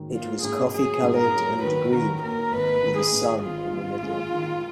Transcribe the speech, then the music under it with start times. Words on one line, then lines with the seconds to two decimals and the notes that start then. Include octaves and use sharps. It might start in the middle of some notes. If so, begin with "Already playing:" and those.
It was coffee-coloured and green, with a sun in the middle.
Already playing: G#2 D#3 F#3
0.13 A#3 F4
0.43 G#2 G#4
0.73 F#3 G#4
1.03 G#2
1.17 A#4
1.33 F#3
1.63 D#3 B4
1.92 D#3 A#4
2.22 A#3 A#4
2.52 G#1 B4
2.83 D#3
2.97 G#4
3.12 G#2
3.42 G#1 F4
3.73 G#1
4.03 G#3
4.33 D#3